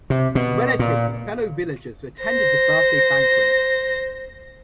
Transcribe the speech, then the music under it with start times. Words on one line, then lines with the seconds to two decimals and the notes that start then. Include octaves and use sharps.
Relatives and fellow villagers attended the birthday banquet.
0.10 C3
0.35 B2
0.79 A#2
2.23 C5 A#6